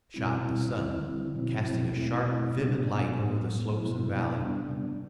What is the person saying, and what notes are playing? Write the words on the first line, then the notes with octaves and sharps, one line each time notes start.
Up shot the sun, casting a sharp, vivid light over the slopes and valley.
B2 G3 C4 E4
B2 G3 C4 E4
D3 G3 C4 E4
D3 G3 C4 E4
B2 F#3 C4 E4
B2 F#3 C4 E4
B2 A3 C4 E4
B2 A3 C4 E4
B2 G3 B3 D4
B2 G3 B3 D4
A2 F#3 B3
A2 F#3 B3
B2 F#3 B3 E4
B2 F#3 B3 E4
C3 G3 B3 D4
C3 G3 B3 D4